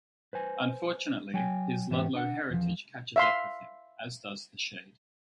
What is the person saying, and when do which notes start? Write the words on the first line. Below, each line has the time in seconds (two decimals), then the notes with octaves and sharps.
Unfortunately his Ludlow heritage catches up with him, as does the Shade.
0.33 B4 C5 G#5
1.34 F#3 G5 G#5
1.90 G#2 E3 B3 C#4 G4
2.15 D4 F#5
2.50 E2 F3
3.16 E5 F5 C6